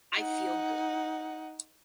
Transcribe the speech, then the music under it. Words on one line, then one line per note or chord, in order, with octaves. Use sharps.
I Feel Good!
D#4 F#5